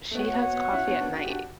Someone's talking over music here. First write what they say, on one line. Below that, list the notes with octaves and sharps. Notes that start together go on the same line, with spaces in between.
she has coffee at night,
A3
B3 F#4 C#5 F#5
B3
B3
C#4 E4
B3 D4
B3 D4
D4 F#4
G4
D4 F#4